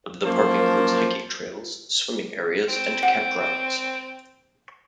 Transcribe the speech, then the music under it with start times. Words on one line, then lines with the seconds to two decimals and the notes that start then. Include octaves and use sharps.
The park includes hiking trails, swimming areas and campgrounds.
0.25 F#2 F3 A#3 C5 A5
2.68 C4
3.03 F#5